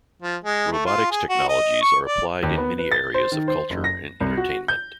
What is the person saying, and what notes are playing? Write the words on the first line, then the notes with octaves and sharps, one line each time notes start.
Robotics technologies are applied in many areas of culture and entertainment.
F3
G#3
A3
F4
G#4
F#4
D#5
C#6
D5
D#2
B3
B4
A6
C5
D#3
C5
F#1
A#6
C2
F#4
G6